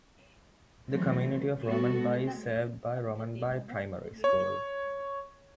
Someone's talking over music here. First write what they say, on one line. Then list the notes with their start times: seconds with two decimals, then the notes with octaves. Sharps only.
The Community of Romanby is served by Romanby Primary School.
0.89 E3 F#3 G3 A3 C4
1.64 G3 B3 F#4 A4
2.00 G#3
4.24 C#5